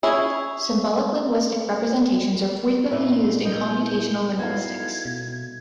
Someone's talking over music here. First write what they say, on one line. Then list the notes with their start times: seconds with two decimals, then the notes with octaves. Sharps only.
Symbolic linguistic representations are frequently used in computational linguistics.
0.03 C#4 E4 G#4
2.91 A#2 D#4 B4 D5 E5
3.45 G3 A3 A#4 D#5 G6
3.82 E4
4.39 B3 D#4 E4 F#4 A4 F5 G#6
5.05 B2